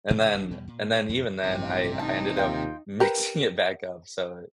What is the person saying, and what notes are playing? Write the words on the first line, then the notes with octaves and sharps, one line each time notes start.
and then and then even then, I I ended up mixing it back up, so it
A#2 C#3 F3 A3
G#1 G#2 G3 D4
E2 B2 G3
A#2
F2 A2 D3
A1 G2 C3
A1 D#4 A5
D#2 F4 G5
G4 A#4 B4